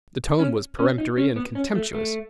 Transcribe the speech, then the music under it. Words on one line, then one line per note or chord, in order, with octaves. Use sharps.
The tone was peremptory and contemptuous.
C#4
C#4
D#4
C#4
B3
C#4
A3
A3